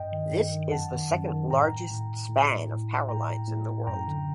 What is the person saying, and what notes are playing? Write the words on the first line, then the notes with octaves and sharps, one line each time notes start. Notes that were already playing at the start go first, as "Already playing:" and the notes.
This is the second largest span of power lines in the world.
Already playing: G2 D#5 G5
D#3
G2
D#3
F#2 F#5 A5
D#3
F#2
D#3
A2 G5 A#5
A2
A2
A2
A2 G5 A#5
A2
F#2 G5 A#5
D3